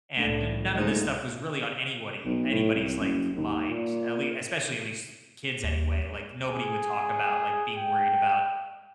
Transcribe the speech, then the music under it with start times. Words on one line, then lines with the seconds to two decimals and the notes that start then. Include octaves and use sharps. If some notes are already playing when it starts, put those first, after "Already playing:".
and none of this stuff was really on anywody anybody's, like, mind. At le especially, at least, kids anyway. Like, nobody would talk about, like, being worried about
0.17 C2 A2 A3 D4
0.75 C#2 G#2 A3 A#3 D#5
2.25 B1
2.51 A2
2.74 C2
3.00 F#1
3.36 D#2
3.69 A#2
5.64 D#2
6.49 G#4
7.76 G5